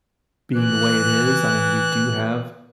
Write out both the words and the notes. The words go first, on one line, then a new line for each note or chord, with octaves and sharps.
being the way it is, I mean, we do have
E3 F#6